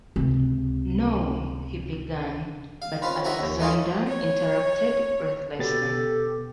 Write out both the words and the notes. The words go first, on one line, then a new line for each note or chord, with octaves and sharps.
"No — " he began, but Alexander interrupted ruthlessly.
C#2 C3
F5
C4 C#4 F4 B4
C#5 E5 F#5 G#5 A#5
D#2
A3 C#4 D#4 F4
C#5
B2 B3 G4 A4 A6